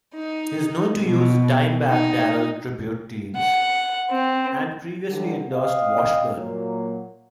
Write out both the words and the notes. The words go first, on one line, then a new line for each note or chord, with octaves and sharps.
He is known to use Dimebag Darrell tribute Deans and previously endorsed Washburn.
D#4
B2
D#4
F#5
C4
D3 E3 F#3 G3
C4 D#5 F5
A#2 F#3 A#3